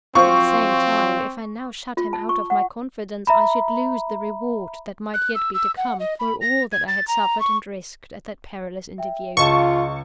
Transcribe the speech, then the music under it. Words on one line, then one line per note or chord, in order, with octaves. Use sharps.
At the same time, if I now shut him out of my confidence, I should lose the reward that might yet be to come, for all that I had suffered and risked at that perilous interview.
F3 F#3 C4 F4 C#6
F4
A5
C#6
F#5
E5 A#5 B5
F#6
E6
E6
F#5
D#5
B5
A#6
G#6
A6
A#5
C#6
E5 G5
C#2 F4 G#4 D#5 F5 A5 C#6